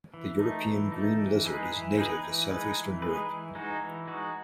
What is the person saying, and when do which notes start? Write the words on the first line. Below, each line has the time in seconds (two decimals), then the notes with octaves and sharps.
The European green lizard is native to southeastern Europe.
0.14 E3
0.39 A3 D#4
0.67 E3
0.92 A3 D#4
1.19 E3
1.45 G#3 D#4 G#4 B4
1.71 E3
1.97 G#3 D#4 G#4 B4
2.24 E3
2.50 G#3 D#4 G#4 B4
2.76 E3
3.02 G#3 D#4 G#4 B4
3.29 E3
3.55 G#3 D#4 F#4
3.81 E3
4.07 G#3 D#4 F#4